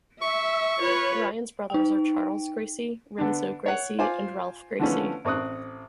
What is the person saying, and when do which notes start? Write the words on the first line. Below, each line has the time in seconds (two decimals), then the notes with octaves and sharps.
Ryan's brothers are Charles Gracie, Renzo Gracie, and Ralph Gracie.
0.22 E5 C#6
0.80 F4 B4 C#5
1.70 D#4 G5
3.18 D3 B3 D4
3.66 C#5 F#5
3.99 F4 C5 G#5 D6
4.80 D3 E3 F3 A3 B3 C#4
5.25 A1 C4 C#6 D#6 F#6